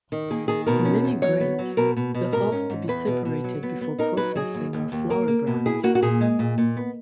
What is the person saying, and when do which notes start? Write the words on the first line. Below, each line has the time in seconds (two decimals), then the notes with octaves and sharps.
In many grains, the "hulls" to be separated before processing are flower bracts.
0.12 D#3
0.30 A#3 G#4
0.48 D#3 G#4
0.67 B2 A#4
0.85 C#4
1.04 E2
1.22 F#3 C#5
1.40 B3
1.59 F#3
1.77 B2 A#4
1.97 B2
2.14 B2
2.32 G#2 A#4
2.52 C#4
2.70 G#2
2.88 E2 B4
3.07 B2
3.25 B2
3.44 F#3
3.63 B3
3.81 B3
3.99 D#4 A#4
4.17 F#3 B4
4.35 F#3 G#4
4.55 D#2
4.73 D#2
4.92 D#2
5.10 A#3 A#4
5.28 A#3
5.47 B2
5.66 E4 G#4
5.84 A#3 F#4
5.95 F#4
6.02 A#2 G#4
6.21 G#3
6.39 A#2
6.58 A#2
6.77 B3